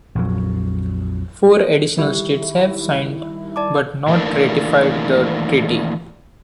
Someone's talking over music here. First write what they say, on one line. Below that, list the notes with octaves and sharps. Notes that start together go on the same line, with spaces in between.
Four additional states have signed but not ratified the treaty.
A#1 F2 F#3
D#3 G3 E4 G4
D5 A5 D6
D#3 E3 A3 A#3 D4